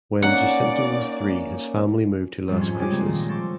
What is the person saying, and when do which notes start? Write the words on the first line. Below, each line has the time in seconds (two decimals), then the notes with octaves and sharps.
When Jacinto was three his family moved to Las Cruces.
0.22 A#3 C#4 D#4 D5 F#5
2.48 F2 G#2 F3 G3 C4
2.61 C#4
2.78 G3 G4 G#4 C#5 G#5 D6
2.91 C#3 G#3 A#3 C4
3.06 A#2 D#3 A#6
3.28 F3 A4 C5 C#6 D6